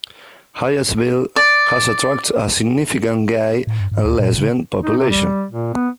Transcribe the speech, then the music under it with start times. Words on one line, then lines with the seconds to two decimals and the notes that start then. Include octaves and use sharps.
Hyattsville has attracted a significant gay and lesbian population.
1.36 D5
3.67 A2
3.80 G2
3.92 G#2
4.05 D2
4.19 A#2
4.38 C#3
4.82 D#4
4.98 C3
5.10 G3
5.51 A#2
5.74 B3